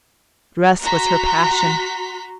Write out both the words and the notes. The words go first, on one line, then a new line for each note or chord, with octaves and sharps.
Dress was her passion.
F#4 A#5 C6 B6